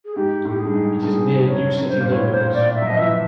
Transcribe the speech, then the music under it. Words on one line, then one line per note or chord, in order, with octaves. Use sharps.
It is near new city neighborhoods.
G#4
G#2 G4
A2 G4
G#4
G2
G#2
G2 G#4
F#2 C#5
F#2
B4
G2 C5
A#2
A2 C#5
A#2 C5
A#2 D5
E5
F#3
F3 D#5
E3 E5